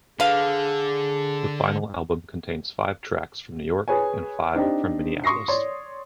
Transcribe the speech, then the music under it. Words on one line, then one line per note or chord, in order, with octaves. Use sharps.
The final album contains five tracks from New York and five from Minneapolis.
D3 G#4 B4 F5
G#4 B4 C#5 G#5
C4 D4 D#4 G4
C6 C#6 D#6 A#6 C7
C#5 D5 C6